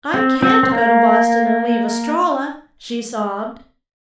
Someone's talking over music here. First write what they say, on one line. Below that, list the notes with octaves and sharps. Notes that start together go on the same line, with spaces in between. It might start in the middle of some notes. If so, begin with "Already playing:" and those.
"I can't go to Boston and leave Estralla!" she sobbed.
C4
C4
C4
A#3